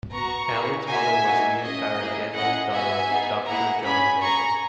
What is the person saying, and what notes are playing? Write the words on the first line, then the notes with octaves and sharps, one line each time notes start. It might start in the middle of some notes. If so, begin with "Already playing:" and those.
Allan's mother was Leah Tyrer Gamble, daughter of Doctor John Gamble.
B3 F#4 A#5 C#6
A#3 E4 G#4
A#3 D#4 F#4 E5 G#5
A#3 D#4 F#4
C#4 G#4 D#5
A#3 E4 G#4
C#4 E4 G#4 D#5 F#5
B3 F#4 E5 G#5
B3 D#4 G#4
A#3 E4 G#4 F#5 A#5
C#4 G#4 G#5 B5
C#4 G#4 A#5 C#6